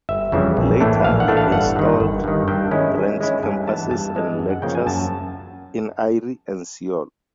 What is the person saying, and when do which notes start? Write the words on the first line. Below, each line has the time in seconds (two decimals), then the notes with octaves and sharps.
Later, it installed branch campuses and lectures in Iri and Seoul.
0.09 G1 E5
0.32 F2 C#3 E3 G3
0.57 A#1
0.81 A2 E3 A3 D4
1.04 A#1 F5
1.20 F#5
1.28 A2 E3 A3 D4
1.37 F5
1.52 G1 F#5
1.76 G2 D#3
2.00 G1
2.24 G2 D#3
2.48 G2 G5
2.71 D#3 G#3 C#4 E4
2.96 G2
3.20 D#3 G#3 C#4 E4
3.43 G2 G#5
3.67 E3 G#3 B3 A5
3.91 G2 A5
4.15 E3 G#3 B3
4.39 F#2
4.50 F#5
4.62 C#3 F3 A#3 G5
4.75 G#5
4.86 F#2 A5